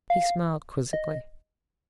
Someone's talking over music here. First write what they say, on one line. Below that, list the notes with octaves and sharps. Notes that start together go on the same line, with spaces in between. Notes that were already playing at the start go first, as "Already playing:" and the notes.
He smiled quizzically.
F5
D#5